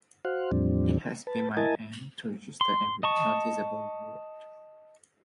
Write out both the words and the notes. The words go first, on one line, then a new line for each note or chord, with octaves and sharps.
It has been my aim to register every noticeable word.
F#4 C5 F5 F#5
E2 A2 F3 G3 C4 D4
B4 A5
E4 A#4 D#5 G#5 A5
C6
D#5 A5 C#6